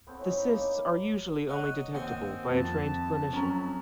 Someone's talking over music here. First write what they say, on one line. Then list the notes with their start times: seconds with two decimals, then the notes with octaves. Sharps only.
The cysts are usually only detectable by a trained clinician.
0.07 B3 C4 A4 C#5
0.20 C#4 E4 D#5
0.37 D#4 D6
0.51 A#3
0.65 B5 D6
1.49 D#4 C#5 D#5 F#5
1.94 D#2 C4 D#5 F#5 G#5
2.49 F2 A5
3.33 F#3 C#4 A#5